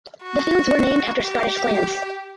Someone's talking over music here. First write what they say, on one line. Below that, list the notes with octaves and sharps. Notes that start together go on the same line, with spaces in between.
The fields were named after Scottish clans.
F#4
G4